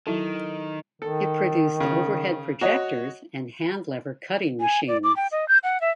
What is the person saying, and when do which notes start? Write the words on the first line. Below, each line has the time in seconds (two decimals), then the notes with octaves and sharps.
It produced overhead projectors and hand lever cutting machines.
0.07 D#3 F#3 E4 A4
1.02 D#3 A4
1.80 C#3
2.61 F#4 C#5 D#5
4.61 G#5
4.88 D5
5.04 D6
5.16 G5
5.32 D#5
5.48 G6
5.64 F#5
5.81 E5